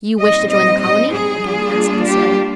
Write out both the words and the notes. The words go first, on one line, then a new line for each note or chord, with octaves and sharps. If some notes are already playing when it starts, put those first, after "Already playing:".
"You wish to join the colony?" again asked the sailor.
A#2 G3 C4 D#4 D#5
D#5
D#5
G#4
G3 A#3 D4 F4
G4